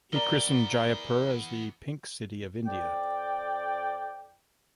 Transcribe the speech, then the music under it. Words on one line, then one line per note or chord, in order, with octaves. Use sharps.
He christened Jaipur as 'the Pink City of India'.
E3 B3 A#4 D5 A#5 G7
F2 D5 G5